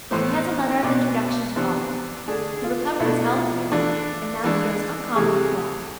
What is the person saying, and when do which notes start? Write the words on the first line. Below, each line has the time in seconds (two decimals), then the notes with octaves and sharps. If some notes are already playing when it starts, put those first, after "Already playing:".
He has a letter of introduction to R. He recovered his health here and now feels uncommonly well.
0.11 A2 E3 B3 C5
0.83 B2 B3 D4 D5
1.56 C3 E3 B3 D4 C5
2.28 D3 A3 D4 G#4
2.64 F4
3.00 B2 A3 D4 E4
3.36 F4
3.72 E3 A3 D4
4.44 E3 G#3 D4
5.15 C3 E3 A3 G#4